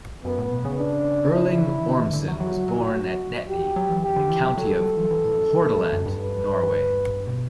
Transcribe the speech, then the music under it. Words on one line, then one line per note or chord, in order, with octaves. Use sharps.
Erling Ormsson was born at Etne in the county of Hordaland, Norway.
F#2 B3
A2
B2
C#3
D4
E4
E3
D3
E3
D3
F#3
F#3 F#4
F#3
E3
F#3
F#4
G3 G4
F#3
F#3
E3
G4
D3
E3
F#3
F#3 A4
G3
F#3
E3
E3
A2
E2
F#2
G2
B2
A2
G2
F#2
G2
B4
B2